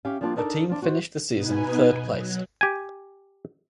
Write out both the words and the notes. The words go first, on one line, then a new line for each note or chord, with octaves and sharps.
Her team finished the season third placed.
C#4 G4 E5 F5
F3 G3 A#3 D4 F4
D4 D#4 A4 A#4
F3 D4
F#4 C5
B2 B3 D#4 B4 G#5
F#3
G4 G#5